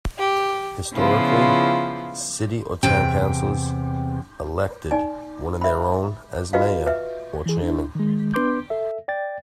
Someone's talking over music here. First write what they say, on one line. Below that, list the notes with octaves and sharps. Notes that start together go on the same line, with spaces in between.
Historically, city or town councillors elected one of their own as mayor, or chairman.
G4
C#3 F3 B3 E4 F4
E2 C3 G5
D#4 D5 G#5
E5 B5
F4 F#4 B4 D#5 F5
B4 E5
E3 G#4
D4 E4
D#3 G#3
B3 D4 B4 C6 D6 G6
A4 E5
D5 G5 A6